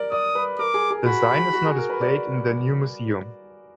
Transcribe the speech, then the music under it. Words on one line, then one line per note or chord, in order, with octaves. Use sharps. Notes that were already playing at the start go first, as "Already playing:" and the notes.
The sign is now displayed in their new museum.
Already playing: A#4 D5
D5 D#6
B4
A#4 D6
G#4
G#4
F#4 B5
G#4
F#4
G#4
A#4
B4
D5